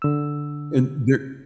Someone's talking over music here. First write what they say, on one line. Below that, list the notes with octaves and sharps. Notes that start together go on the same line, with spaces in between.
and there
D3 E6